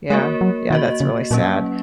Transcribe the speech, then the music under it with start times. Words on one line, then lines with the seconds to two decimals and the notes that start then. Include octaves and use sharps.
Yeah. Yeah, that's really sad,
0.10 G#3 A#3 F#4 A#4 C#5
0.41 F#3
0.70 D#3 A#3 F#4 D#5
1.00 C#3
1.31 A#2 F#3 A#3 C#4